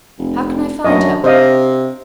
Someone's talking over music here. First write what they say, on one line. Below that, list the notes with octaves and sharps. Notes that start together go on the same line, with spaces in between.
"How can I find her?"
F1
F#2 D4 E4 D#5
C3 C5 D#5 F5